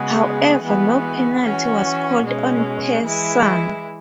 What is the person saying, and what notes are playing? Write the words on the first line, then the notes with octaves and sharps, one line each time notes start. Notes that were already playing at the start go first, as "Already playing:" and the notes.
However no penalty was called on Pearson.
Already playing: C#3 G#3 B3 F#4
E3 G#3 B3 F#4
E3 C#4 F#4
B2 G#3 C#4
E3 G#3 E4